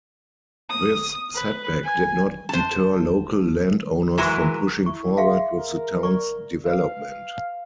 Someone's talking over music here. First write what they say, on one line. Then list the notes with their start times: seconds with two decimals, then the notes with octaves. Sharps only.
This setback did not deter local landowners from pushing forward with the town's development.
0.70 D#6
1.35 B4
1.83 G#5
2.49 C5 A5
4.18 E3 F#3 G#3 A#4 B4
4.86 E4 C#6
5.18 G#4 E5 F5 C6
5.58 A#4
6.03 D5 C#6
6.66 B4 F5